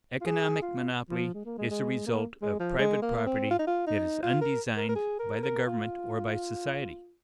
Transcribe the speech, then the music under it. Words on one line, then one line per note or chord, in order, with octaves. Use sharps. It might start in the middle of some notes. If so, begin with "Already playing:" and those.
Economic monopoly is a result of private property that is undesigned by the government or by society.
F4
G#4
F4
F3
G#3
A#3
G#3
G#3
A#3
G#3
F3
G#3
A#3
C4
F4
D#4
F4
D#4
F4
A#4
A#4
A#4
G#4
A#4
A#4
F4